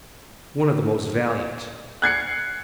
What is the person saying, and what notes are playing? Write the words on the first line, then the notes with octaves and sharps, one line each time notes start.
One of the most valiant.
F#6 G#6 C7 C#7